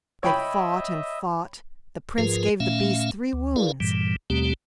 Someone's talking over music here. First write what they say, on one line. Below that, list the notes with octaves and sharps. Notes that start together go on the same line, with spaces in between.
They fought and fought; the Prince gave the beast three wounds.
C#5 D#5 E5 G5 B5
G#2 F3 F4 G#4 A#4 B4
A#2 A3 C#4 E5 F5
D2
E4 G#4 A#4 B4 D5 F5
G2 A#2 E3 G3
D#2 B2 G3 A3 C4 G4